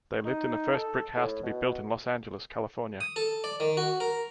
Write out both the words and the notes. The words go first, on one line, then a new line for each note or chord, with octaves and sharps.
They lived in the first brick house to be built in Los Angeles, California.
D#4
A4
A2
B2
D#6
A4
D5
D#3
F#4
A#4